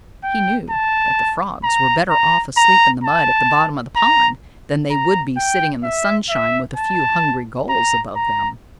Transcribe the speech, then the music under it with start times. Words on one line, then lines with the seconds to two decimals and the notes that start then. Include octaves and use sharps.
He knew that the Frogs were better off asleep in the mud at the bottom of the pond, than they would be sitting in the sunshine with a few hungry Gulls above them.
0.24 G5
0.70 A5
1.64 A#5
2.10 A#5
2.57 A#5
3.04 A5
3.96 A#5
4.90 A#5
5.37 G5
5.84 E5
6.30 E5
6.76 A5
7.69 A#5
8.16 A#5